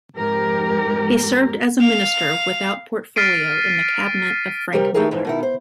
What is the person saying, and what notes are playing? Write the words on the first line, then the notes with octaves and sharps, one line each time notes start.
He served as a minister without portfolio in the cabinet of Frank Miller.
F2 G#2 G4 A#4
F5 F7
F6 A6 B6 C7 D7 D#7
C3 G3 G4 A#4
A3 D#4 E4 G4 G#4 A#4
F2 G#2 E3
B2 D#3 E4
C5